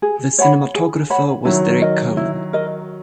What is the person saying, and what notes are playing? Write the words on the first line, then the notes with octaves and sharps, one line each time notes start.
The cinematographer was Derrick Cohan.
G#4
C#5 F#5 B5
G#4
C#5 F#5 B5
D#3 F#3 E4
A#4 D#5
E4
A#4 D#5